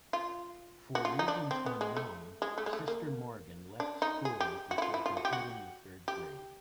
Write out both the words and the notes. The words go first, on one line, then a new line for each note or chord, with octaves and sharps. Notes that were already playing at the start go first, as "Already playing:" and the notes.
For reasons unknown, Sister Morgan left school before completing the third grade.
F4
F#4
F4
D#4
D4
C4
B3
G#3
A3
G#3
A3
G#3
A3
A#3
D4
D#4
G#4
G4
F#4
E4
F4
E4
F4
F#4
G4
F#4
G4